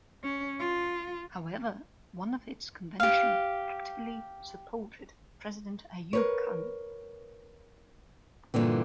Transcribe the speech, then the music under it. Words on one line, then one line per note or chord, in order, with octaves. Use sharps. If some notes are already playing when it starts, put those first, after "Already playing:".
However, one of its convention actively supported President Ayub Khan.
C#4
F4
G4 F5
A#4 B4 C#5
G2 A#2 D3 E3